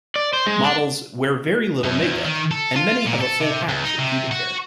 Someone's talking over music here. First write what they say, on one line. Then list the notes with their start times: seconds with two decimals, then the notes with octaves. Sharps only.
Models wear very little make-up and many have a full patch of pubic hair.
0.16 D5
0.33 C5
0.47 G#3
0.64 D4
1.84 F#2
2.03 E2
2.25 D#3
2.51 A4
2.76 F4
3.06 A#2
3.21 A4
3.40 C3
3.69 C#2
3.84 D#4
3.99 C3
4.31 F#4